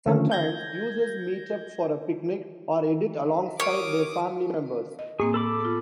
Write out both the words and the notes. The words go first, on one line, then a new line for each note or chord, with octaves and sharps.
Sometimes, users meet up for a picnic, or edit alongside their family members.
D3 D#3 F3 A3 C#4
G6 G#6 A#6
A#4 C#5 D6 D#6 D7
D#5
A2 A#3 C4 G#4
A4 B5 D6
B3 F4